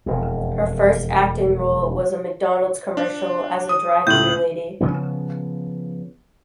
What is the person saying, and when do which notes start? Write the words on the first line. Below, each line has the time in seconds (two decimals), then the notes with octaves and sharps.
Her first acting role was a McDonald's commercial as a drive-through lady.
0.06 E1 F2
2.97 D4
3.69 D#6
4.07 C#2 A2 G6 F#7
4.81 C#3 F3 B3